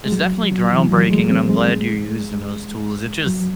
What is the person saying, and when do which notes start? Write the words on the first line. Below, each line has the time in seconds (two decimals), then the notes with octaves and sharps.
it's definitely groundbreaking, and I'm glad you're using those tools. It just,
0.05 G#3
0.12 F#3
0.52 F#3
0.72 E3
0.91 F#3
1.03 A3
1.10 G#3
1.30 C4
1.49 G#3
3.26 F#3